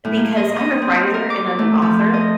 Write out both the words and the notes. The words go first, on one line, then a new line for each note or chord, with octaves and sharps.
because I'm a writer and I'm an author,
A2
A#3
D#5
D#5
C4
A#4
D6
A3
F3
D#5